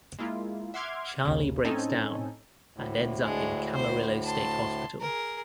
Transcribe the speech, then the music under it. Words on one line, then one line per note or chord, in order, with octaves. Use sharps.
Charlie breaks down and ends up in Camarillo State Hospital.
G#3 A#3 E4 F4
E5 F#5 C6 D6 F6 G#6
A#1 D#2 C#3
A2 C4 C#4 D#4 A4 G#5
D2 A2
G#3 D4
C5 C6
A5 C6
G#4 A#4